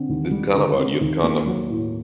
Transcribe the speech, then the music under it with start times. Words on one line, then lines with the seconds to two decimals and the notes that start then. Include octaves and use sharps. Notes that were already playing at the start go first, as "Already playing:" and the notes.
This Carnaval, use condoms.
Already playing: D3 C4
0.09 D#2
0.31 G3
0.54 D3
0.78 C4
1.01 D#2
1.24 A#3
1.46 F#3
1.70 A2